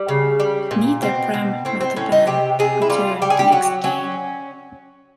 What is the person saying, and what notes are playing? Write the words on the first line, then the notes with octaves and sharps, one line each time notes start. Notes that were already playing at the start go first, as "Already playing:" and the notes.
Neither Bram nor the van return the next day.
Already playing: G3
C#3
G3
A#2
B2 C4
B2
A2 C4
C4
A2 C#4
D#4
C3 G4
C3 G#4
E4
G3 F4
G3 G4
G#4
G4
F#3 F#4
F#3 C#4